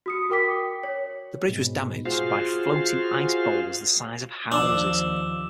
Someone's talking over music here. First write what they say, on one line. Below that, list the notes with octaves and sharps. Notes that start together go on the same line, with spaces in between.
The bridge was damaged by floating ice boulders the size of houses.
F#4 D#6 C#7
F#4 A#4 G5 D6 B6
C#5
G#2 B2
F4 F#4 G#4 C5 F5
D#2 F3 D4 D6 E6 E7